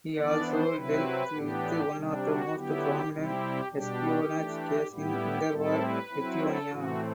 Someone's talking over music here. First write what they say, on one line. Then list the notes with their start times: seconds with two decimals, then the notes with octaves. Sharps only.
He also dealt with one of the most prominent espionage cases in interwar Lithuania.
0.16 E3 B3 D4 D5
0.45 C5
0.75 C3 F#3 C4 E4 B4
1.34 A2 E3 B3 D4 G4
1.94 C3 G3 D4
2.24 F#4
2.54 D3 F#3 B3 E4 G4
3.13 C3 G3 C4 E4 G4
3.72 B2 G3 D4 G4
4.32 E3 A3 D4
4.91 A2 G3 B3 E4 G4
5.51 A2 G3 C4 E4 A4
5.81 B4
6.10 F#3 C4 E4
6.40 A4
6.70 A2 E3 A3 C4 F#4